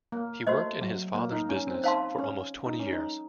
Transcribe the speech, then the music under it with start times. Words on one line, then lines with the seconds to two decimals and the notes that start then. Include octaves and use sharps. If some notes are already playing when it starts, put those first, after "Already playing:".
He worked in his father's business for almost twenty years.
0.12 A#3
0.47 A3 F#4 C5 D#5
0.81 F#3
1.15 A#3
1.32 D#4
1.49 C#4
1.67 C4
1.84 D#4 C5 F5 A5 C6
2.18 C#4
2.66 D#4
2.79 C#4
2.93 D#4